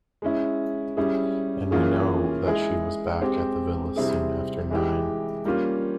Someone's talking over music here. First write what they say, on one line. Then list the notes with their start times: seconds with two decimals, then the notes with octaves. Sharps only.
And we know that she was back at the villa soon after nine.
0.22 G#3 C#4 E4
0.97 G3 C#4 E4 G#4
1.71 E3 A#3 C#4 F4 G#4
2.46 G#3 E4 G#4
3.21 G#3 C4 G4
3.96 C3 G3 C4 E4 G#4
4.70 E3 G#3 E4 G4
5.45 G3 A#3 C#4 F4